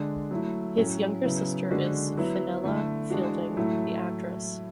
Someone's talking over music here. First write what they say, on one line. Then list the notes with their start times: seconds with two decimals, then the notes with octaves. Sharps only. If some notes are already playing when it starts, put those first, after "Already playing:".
His younger sister is Fenella Fielding, the actress.
Already playing: D3 G#3 D4
0.31 F#3 A3 E4
0.77 A2 F#3 C#4
1.24 C#3 F#3 B3 E4
1.71 D3 G#3 D4 F#4
2.17 F#3 B3 E4
2.64 D3 A3 E4
3.10 E3 G#3 D4 F#4
3.57 A2 F#3 A3 E4